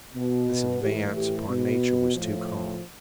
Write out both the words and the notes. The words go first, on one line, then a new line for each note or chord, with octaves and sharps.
This advance upon Nature was too calm.
B2
A2 E3 G4
G4
B2
A2 F3